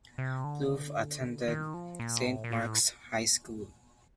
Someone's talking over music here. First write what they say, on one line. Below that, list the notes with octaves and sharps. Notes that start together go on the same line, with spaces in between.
Plouffe attended Saint Mark's High School.
C3
D3
D#3
F3
A#2
A2
A#2
A2